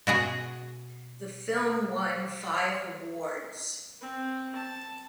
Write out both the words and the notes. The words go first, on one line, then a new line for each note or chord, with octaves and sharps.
The film won five awards.
B2 F#4 G#4
C4
A5